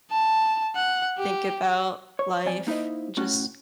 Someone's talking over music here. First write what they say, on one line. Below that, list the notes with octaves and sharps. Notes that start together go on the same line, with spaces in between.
think about life and just
A5
F#5
G4
C#5
F2 D5 G#5
A#3 D#4 E4 C5 D#5
A2 C#4 F#4